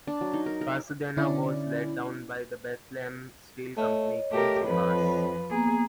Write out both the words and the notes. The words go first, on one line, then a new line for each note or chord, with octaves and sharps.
"Pasadena" was laid down by the Bethlehem Steel Company, Quincy, Mass.
D4
F#3
D#4
A#4
A#4
D3 C#4 E4 D5
A3 C#5 D#5
A3 G4 A#4
F2 F3 B4
A#3 B3 G#4 A#5